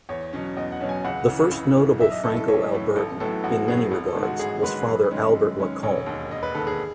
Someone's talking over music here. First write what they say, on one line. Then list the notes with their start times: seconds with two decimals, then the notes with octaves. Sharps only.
The first notable Franco-Albertan, in many regards, was Father Albert Lacombe.
0.09 E2 C#5
0.33 B2 F#3 C#4
0.57 E2 D#5
0.72 F#5
0.81 B2 F#3 C#4
0.89 G#5
1.05 C#2 F#5
1.28 C#3 E3
1.52 C#2
1.77 C#3 E3
2.00 B1 E5
2.12 D#5
2.23 A2 E3 A4
2.37 A4
2.48 B1 C#5
2.72 A2 E3
2.96 A1 A4
3.20 A2 F#3 B3 A4
3.43 A1 F#4
3.68 A2 F#3 B3 G#4
3.91 A1
4.08 A4
4.16 G#2 D#3 G#3
4.23 F#4
4.39 A1 G#4
4.63 G#2 D#3 G#3 B4
4.87 F#2
5.11 D#3 G#3 C#4
5.35 F#2
5.59 D#3 G#3 C#4
5.83 E1 C#5
6.06 D#2 D#3
6.31 E1 D#5
6.43 B4
6.54 D#2 D#3 A4
6.67 G#4